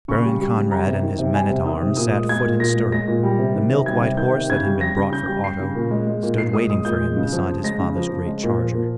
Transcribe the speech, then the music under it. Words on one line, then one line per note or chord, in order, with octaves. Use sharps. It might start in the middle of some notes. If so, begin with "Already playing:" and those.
Baron Conrad and his men-at-arms sat foot in stirrup, the milk-white horse that had been brought for Otto stood waiting for him beside his father's great charger.
C#3 C#6
G3
G3
C#3
G3 A#5
C3
D#3
C3
G3 G#5
C3
D#3 D#6
C3
A#2 D#6
G#3
G#3 G#6
A#2
A#2 A#6
G#3
G#3 A#6
A#2
G3
C3
D#3
C3
G3 G#6
C3
D#3 G6
C3
C#3 G#6
G3
G3 A#6
C#3
C#3 G6
G3
G3 C7
C#3
A#2
G#3
G#3
A#2
A#2 C7
G#3 D#6
G#3 D#6
A#2 G6
G#3
C#3
F3
C#3
G#3 A#6
C#3
F3
C#3
G#3
A#2
F3
A#2